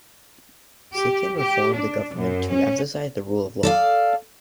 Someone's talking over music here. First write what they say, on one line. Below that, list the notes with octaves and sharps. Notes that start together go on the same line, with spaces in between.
Zichan reformed the government to emphasise the rule of law.
G4
G4
D4
F#2
C#4
A4 D5 F5